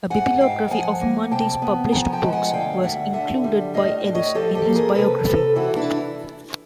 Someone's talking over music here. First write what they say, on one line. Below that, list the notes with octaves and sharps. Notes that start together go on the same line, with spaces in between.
A bibliography of Mundy's published books was included by Ellis in his biography.
G#2 F#5 G#5
G#2 F5 G5
F3 F#5 G#5
A#3
C3 G5 A5
B3
F3 G#5 A#5
G5 A5
G#3
F#5 G#5
D2 F5 G5
D2 E5 F#5
D3 E5 F#5
G3
A2 D#5 F5
A2
C#5 D#5
F3 G4 A4
G4 A4
A#3
G#4 A#4
C3 A4 B4
C3 A4 B4
E3 E4 F#4
D4 E4